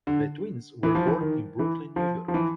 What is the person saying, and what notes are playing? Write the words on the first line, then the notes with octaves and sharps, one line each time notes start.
The twins were born in Brooklyn, New York.
D3
E3
F3
E3
D#3
E3
F3
F3
E3